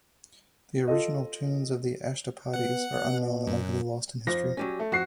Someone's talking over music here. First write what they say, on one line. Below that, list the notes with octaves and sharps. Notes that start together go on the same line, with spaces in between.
The original tunes of the ashtapadis are unknown and likely lost in history.
F4 A4 D#5
B3 F#5 F#6
B2
F#2
F2 F3 A#6
F#3 G3 C#4
A3
F2 F#4 C7